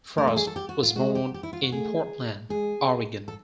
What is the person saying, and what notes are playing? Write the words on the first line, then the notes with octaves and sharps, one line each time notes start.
Frost was born in Portland, Oregon.
A3 A#4
A4
G#4
A4
G4
F#4
F4
G#3 F#4
G4
G4
E4
F4
F#4
A3 G#4
G#3 G#4
A4